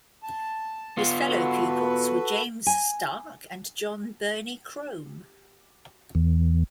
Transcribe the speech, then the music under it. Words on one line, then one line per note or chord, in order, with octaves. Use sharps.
His fellow-pupils were James Stark and John Berney Crome.
A5
B3 F4
F#4 A4 B4
G#5
E2